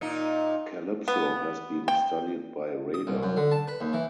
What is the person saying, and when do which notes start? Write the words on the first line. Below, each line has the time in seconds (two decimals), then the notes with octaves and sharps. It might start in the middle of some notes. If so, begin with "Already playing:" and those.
Kalypso has been studied by radar.
0.01 A#2 D#4
1.08 B3
1.88 G5
2.94 D#6
3.07 C2
3.23 F#2
3.37 D3
3.51 A5
3.68 B4
3.80 D#2
3.93 E3